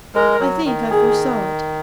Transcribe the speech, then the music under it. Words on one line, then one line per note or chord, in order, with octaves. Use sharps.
I think I foresaw it.
G#3 A#4
F#3
D#3
G#4